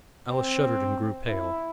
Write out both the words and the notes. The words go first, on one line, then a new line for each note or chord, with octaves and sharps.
Alice shuddered and grew pale.
C4
E4